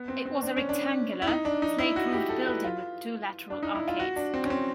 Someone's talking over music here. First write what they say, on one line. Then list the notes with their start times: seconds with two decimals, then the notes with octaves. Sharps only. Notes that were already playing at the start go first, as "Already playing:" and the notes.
It was a rectangular, slate-roofed building with two lateral arcades.
Already playing: B3
0.08 C4
0.26 C4
0.42 D4
0.57 C#4
0.69 D4
1.22 E4
1.27 D#4
1.45 D4
1.62 D#4
1.78 E4
1.96 F#4
2.12 G4
2.29 A4
2.47 B4
2.64 F4
3.50 D4
3.63 D#4
3.75 E4
3.88 F4
4.00 F#4
4.16 D4
4.34 C4
4.45 C#4
4.50 C4